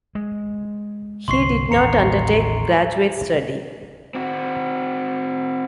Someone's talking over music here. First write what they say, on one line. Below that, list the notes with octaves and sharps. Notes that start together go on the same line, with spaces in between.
He did not undertake graduate study.
G#3
G1 C2 F#3 C6 C#6 C7
A1 D#2 A#5 C#7 F7
C4 F#4